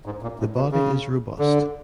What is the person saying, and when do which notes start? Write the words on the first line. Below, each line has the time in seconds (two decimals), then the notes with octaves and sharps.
The body is robust.
0.06 G#2
0.22 A#2
0.39 A2
0.56 B2
0.72 C#3
1.39 D3